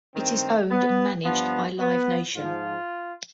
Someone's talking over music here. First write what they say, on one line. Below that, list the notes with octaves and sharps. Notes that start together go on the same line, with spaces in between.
It is owned and managed by Live Nation.
G2 D#3 C4
B3
G2 F3 B3
B3
G#2 F3 F4